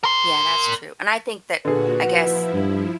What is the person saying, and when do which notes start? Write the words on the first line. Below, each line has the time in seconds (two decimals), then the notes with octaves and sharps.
Yeah, that's true. And I think that, I guess,
0.03 A#4 C6
1.65 A#2 D3 F#4 G#4 B4
2.02 F3 E4 F#4
2.53 G2